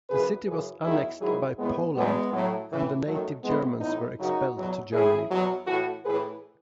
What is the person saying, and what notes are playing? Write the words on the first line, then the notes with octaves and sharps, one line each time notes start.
The city was annexed by Poland, and the native Germans were expelled to Germany.
F#2 C#3 E3 G#4 B4
F#2 C#3 E3 G#4 B4
E2 D#3 F#3 E4 G#4
G#2 D#3 F#3 E4 G#4
A2 E3 G#3 B3
E2 B2 F#3 G#3 B3
A2 F#3
A2 E3
F#2 D#3 F#3 A3
A2 E3 G#3 B3
A2 E3 B3 D#4
F#2 C#3 F#3 D#4 F#4
E2 B2 F#3
A2 E3 E4 G#4
E2 B2 F#3
A2 E3 F#4 A4
A2 E3 G#4 B4